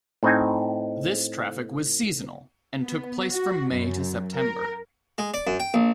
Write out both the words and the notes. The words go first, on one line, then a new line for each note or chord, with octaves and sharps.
This traffic was seasonal, and took place from May to September.
A2 C4 D#4 G#5
B3
F#4
F#2
A#4
G#3
D5
F#2
G5
A#1